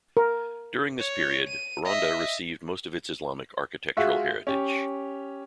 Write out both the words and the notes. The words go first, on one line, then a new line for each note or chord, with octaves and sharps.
During this period, Ronda received most of its Islamic architectural heritage.
A#4
C#5
D#7
D#5 E5
G#3 F4 F#4 E5
C#4 G4